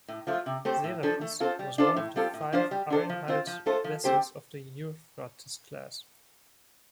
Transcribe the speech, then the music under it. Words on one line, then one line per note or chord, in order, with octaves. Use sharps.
"Serapis" was one of five iron-hulled vessels of the "Euphrates" class.
A2
F3 A3 F4
C3
A3 C4 G4 C5
A2
F3 D4 A4
A3
C4 F4 A4 C5
G3
D4 F4 A4 C5
A2
G3 C4 F4 A4
A2
F3 D4 F4 C5
G3
D4 A4 C5
F3
C4 F4 C5
F3
A3 F4 A4 C5
F3
A3 C4 G4 C5